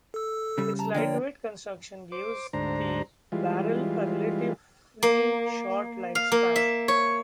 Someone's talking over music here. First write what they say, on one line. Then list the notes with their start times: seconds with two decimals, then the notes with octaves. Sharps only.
Its lightweight construction gives the barrel a relatively short lifespan.
0.14 A4 E6
0.58 C#3 G3
0.79 A5 A#5
0.94 D3 F3 A#3 C#5 D5 G5
2.12 C5 D6
2.53 D2 G#2 D4 C5 A#5
3.32 E3 G3 G#3 F4
5.03 A#3
6.15 F5
6.32 A#3
6.56 E5
6.88 C#5